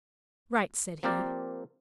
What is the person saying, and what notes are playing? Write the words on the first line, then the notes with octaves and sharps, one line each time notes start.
"Write!" said he.
F3 A#3 C4 G4 A#4 D5